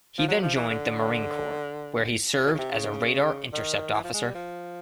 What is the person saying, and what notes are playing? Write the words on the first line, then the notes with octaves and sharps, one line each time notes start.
He then joined the Marine Corps where he served as a Radar Intercept Officer.
F3
F#3
F3
E3
D3
B2
C#3
C3
C#3
D#3
E3
F3
G#3
G3
F3